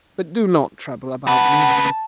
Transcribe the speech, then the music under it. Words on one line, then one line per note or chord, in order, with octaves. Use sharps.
But do not trouble about me.
C#3 B4 F#5 A5